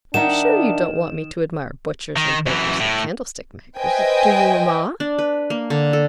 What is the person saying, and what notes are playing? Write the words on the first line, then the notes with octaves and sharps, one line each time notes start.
I'm sure you don't want me to admire butchers and bakers, and candlestick-makers, do you, mamma?'
D#3 D4 D#4 E5 F#5 E7
D#3
F#2 E3
A2
B4 C5 D#5 E5 G5 G#5
D4
B4
A#3
D3
A4